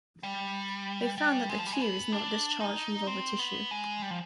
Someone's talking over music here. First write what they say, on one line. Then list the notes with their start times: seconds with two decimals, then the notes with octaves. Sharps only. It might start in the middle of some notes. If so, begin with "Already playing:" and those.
They found that the cue is not discharged from vulva tissue.
0.23 G3
1.18 G3
1.49 G#3
1.59 F3
1.66 G3
1.73 G#3
1.81 B3
2.12 D4
2.60 D#4
3.07 C4
3.39 B3
3.71 G#3
4.02 G3
4.10 F3